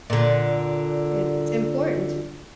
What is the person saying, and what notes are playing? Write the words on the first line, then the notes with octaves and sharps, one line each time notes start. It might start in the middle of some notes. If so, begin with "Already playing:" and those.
It's important
A#2 D3